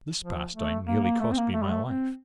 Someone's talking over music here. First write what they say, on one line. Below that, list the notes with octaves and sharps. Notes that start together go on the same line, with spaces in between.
This pastime nearly cost me my life.
F3
A3
A#3
A#3
A3
C4
A#3
A3
G3
A3
C4